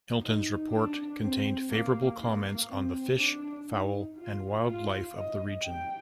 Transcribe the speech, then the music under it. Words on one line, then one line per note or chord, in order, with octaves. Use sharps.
Hilton's report contained favorable comments on the fish, fowl, and wildlife of the region.
D#4
D4
C4
A#3
A#3
C4
D4
D#4
F4
F4
D#5
G5